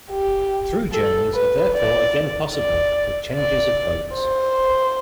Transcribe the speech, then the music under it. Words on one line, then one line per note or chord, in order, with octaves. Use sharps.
Through journeys are therefore again possible, with changes of boats.
G4
A4
B4
D5
D5
D5
C5